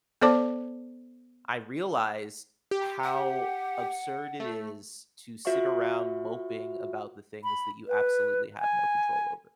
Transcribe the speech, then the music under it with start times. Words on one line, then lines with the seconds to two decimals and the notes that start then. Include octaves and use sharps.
I realized how absurd it is to sit around moping about the things that you absolutely have no control over.
0.21 B3 A4 C5 D5 A5 D6
2.71 G4
3.04 F#5
4.40 A3
5.45 F4 F#4 C5 E5 F5 C#6
7.44 B5
7.88 B4
8.60 G#5